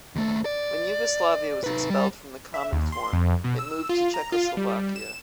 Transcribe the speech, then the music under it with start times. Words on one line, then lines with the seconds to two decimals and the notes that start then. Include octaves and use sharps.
When Yugoslavia was expelled from the Cominform, it moved to Czechoslovakia.
0.16 D#2 A3
0.45 D5
1.64 D#4 B4
1.90 G3
2.54 E5
2.73 D#2
2.92 C6
3.13 F2
3.44 B2
3.59 E6
3.89 F4
4.14 A#5
4.32 F4
4.57 G3
4.96 E7